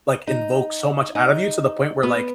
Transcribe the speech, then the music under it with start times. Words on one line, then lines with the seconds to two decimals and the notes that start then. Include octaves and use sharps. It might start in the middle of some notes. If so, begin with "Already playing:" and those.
like invoke so much out of you to the point where like
0.28 D#4
1.15 D#4
2.03 B3